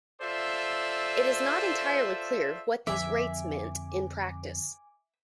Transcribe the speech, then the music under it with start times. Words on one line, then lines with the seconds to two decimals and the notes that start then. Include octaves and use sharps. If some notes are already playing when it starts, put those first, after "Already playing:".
It is not entirely clear what these rates meant in practice.
0.21 F4 A4 C5 D5 E5
2.87 F2 D3 F3 E5 G#5 D6